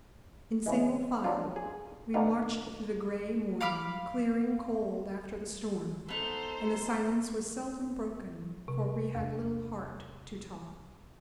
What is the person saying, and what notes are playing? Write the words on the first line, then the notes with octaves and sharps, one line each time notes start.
In single file we marched through the gray morning, clearing cold after the storm, and the silence was seldom broken, for we had little heart to talk.
C#3 E3 G#3
F#3 G3 C4 D4 D#4 F4
G#4
B2 D#3 D4 F5
F5 B5 D6 F6
B3 D#4 A4 C5
C3
E2